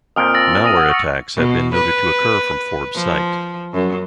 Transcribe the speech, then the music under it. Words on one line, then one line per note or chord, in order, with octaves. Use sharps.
Malware attacks have been noted to occur from Forbes site.
F2 A#2 F3 D#6 F6 D7
E6 A6 A#6
D#6 A#6 D#7
F#5
C#6 A#6 C#7
B2
B4
F3
F#2